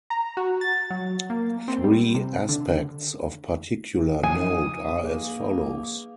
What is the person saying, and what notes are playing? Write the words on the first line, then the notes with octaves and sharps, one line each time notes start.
Three aspects of particular note are as follows.
A#5
F#4
A6
F#3
A#3
C4
G3
C3
D3
F3 D#4 G#5 D#6
A#3 G#4 B4